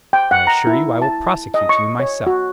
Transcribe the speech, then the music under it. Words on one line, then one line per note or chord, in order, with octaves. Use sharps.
I assure you I will prosecute you myself.
G5
F#5
A#5
E4
A5
D#5
C#6
C#5
F#4